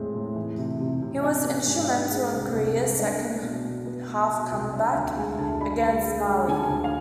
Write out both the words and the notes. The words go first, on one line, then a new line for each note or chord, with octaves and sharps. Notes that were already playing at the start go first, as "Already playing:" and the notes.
He was instrumental in Korea's second half comeback against Mali.
Already playing: E2 A2 G#3 C4
A2
E3
C3
C3
C3
D4 G#5
B3
G#2
D4
G#3
C2
C2
G#3
D4
B3
B2
B2
B3
B3
B2
C2
D4 E5
D2 F5
G#3 G#5
D2 A5
D4 B5
G#3
G#3
G#3
D3 G#5
A5
G#5
D2
F5